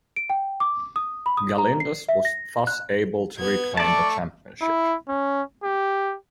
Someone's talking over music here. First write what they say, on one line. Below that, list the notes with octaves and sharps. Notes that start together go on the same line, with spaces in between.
Galindez was thus able to reclaim the championship.
D7
G5
D6
D#6
B5
D#6
A#5
C7
E5
A#6
F#6
B3 G#6
A3 D5 A5 C#6
E4
C#4
G4